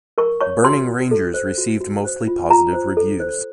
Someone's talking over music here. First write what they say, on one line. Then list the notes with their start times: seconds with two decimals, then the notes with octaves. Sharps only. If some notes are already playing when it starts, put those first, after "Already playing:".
"Burning Rangers" received mostly positive reviews.
0.18 A#4 C#6
0.41 C#5 C#6
0.64 F#4 C6
0.87 F#4
1.11 A4
1.34 C5
1.58 F#4
1.81 F#4
2.04 C5
2.27 F4
2.50 F4 A#5
2.73 C5
2.97 A4
3.20 C5